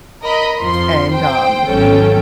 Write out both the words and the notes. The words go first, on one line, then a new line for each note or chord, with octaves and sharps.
and, um,
A#4 D#5 B5
F2 F3 C6
C5 G5
G#1 E2 F#3 C#4 A4 G5